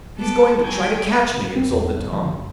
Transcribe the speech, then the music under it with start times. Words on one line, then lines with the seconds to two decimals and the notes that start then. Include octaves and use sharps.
"He's going to try to catch me!" exulted Tom.
0.15 B3 A4 D6
0.61 F#3 G5 G#5 C#6 G#6
1.56 C4
1.70 E2
1.99 G1
2.12 F3
2.26 F#1